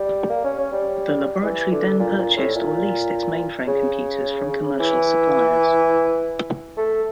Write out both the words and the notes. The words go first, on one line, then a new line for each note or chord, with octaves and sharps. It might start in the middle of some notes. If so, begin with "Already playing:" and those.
The Laboratory then purchased or leased its mainframe computers from commercial suppliers.
Already playing: G3
A#3
C#4
C#4
G3
E3
D3
A#2
A#2
A2
A#2
C#3
E3
A3